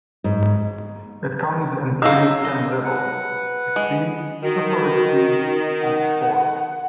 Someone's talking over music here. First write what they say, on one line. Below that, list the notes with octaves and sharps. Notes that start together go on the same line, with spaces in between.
It comes in three trim levels: Exceed, Super Exceed, and Sport.
G#2
F#3 D#4 G#4 D#5 F5 E6
D#5
B4 F#5
G#3
D#3 F#4
F#5